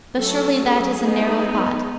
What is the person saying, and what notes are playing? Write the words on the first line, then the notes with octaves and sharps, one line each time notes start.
But surely that is a narrow thought.
F#3 A3 C#4 A4
G#4
G#3 B3 D#4